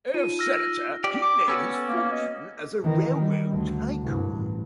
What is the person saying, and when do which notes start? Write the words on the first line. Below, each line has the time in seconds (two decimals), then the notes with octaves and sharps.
Senator; he made his fortune as a railroad tycoon.
0.14 D#4 F4 D#7
0.39 E6 F6 A#6
1.04 G4 D5
1.22 D6
1.48 B3 C#4 F#4 A4
1.87 A#3
2.11 D#5
2.82 D#3 E3
3.20 G3
3.52 D2
4.03 C2 G2
4.32 A1